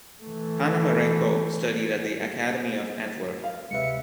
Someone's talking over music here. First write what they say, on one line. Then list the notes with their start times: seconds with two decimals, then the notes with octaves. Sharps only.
Panamarenko studied at the academy of Antwerp.
0.23 E3 A3
3.44 F5
3.71 D2 C3 G#3 B4 E5 C#7